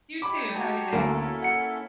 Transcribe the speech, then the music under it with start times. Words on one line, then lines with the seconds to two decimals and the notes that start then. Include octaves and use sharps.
You too, have a good day.
0.22 D#4 G4 C#5 B5 D6
0.55 F#4 A5
0.93 D2 A#3 C#4 E4 A4
1.43 F#5 C#7